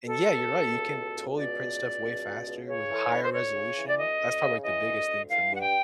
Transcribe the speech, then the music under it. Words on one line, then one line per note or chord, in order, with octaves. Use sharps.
and yeah, you're right, you can totally print stuff way faster with higher resolution. That's probably, like, the biggest thing for me,
B2 A4
C#2
B2
C#2
B2
C#2
B2 D5
C#2
B2
C#2
B2
C#2
C#3 C#5
E3 A4
A#4
D2 B4
C5
D2 C#5
C#3
E3
D5
D2 D#5
D2
C#3
E3 D#5
D2
D2
E3 F5
G2 F#5
G5